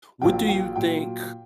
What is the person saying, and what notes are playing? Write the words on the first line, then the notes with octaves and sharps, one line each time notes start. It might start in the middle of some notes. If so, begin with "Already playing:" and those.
what do you think,
A#1 A#2 F#3 G5
G5
A#2 F#3 G5